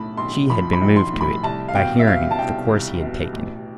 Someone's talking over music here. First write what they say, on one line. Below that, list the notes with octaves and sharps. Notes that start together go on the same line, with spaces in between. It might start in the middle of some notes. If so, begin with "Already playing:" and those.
She had been moved to it by hearing of the course he had taken.
Already playing: B1 A2 A5 B5
B1 C6
F3 B5
B5
B1
C6
A2
B5
C2 A5
F5
B2 G5
E5
B2 F5
A5
C2 G5
C2
B2
A1